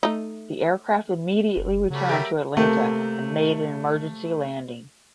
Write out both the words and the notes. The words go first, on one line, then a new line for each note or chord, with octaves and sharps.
The aircraft immediately returned to Atlanta and made an emergency landing.
A3 D#4
F#1
C#3 F#3 G3 A3
G4 A#4 E5
C3 A3 A#3